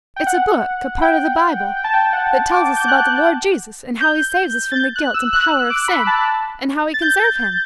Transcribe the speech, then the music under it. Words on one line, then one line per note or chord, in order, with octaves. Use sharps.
"It's a book--a part of the Bible--that tells us about the Lord Jesus, and how He saves us from the guilt and power of sin, and how we can serve Him."
G5
F#5
G5
G5
A5
G5
F#5
D6
G6
F#6
G6
A6
G6
F#6
E6
F#6
D6
B5
A5
A6
G6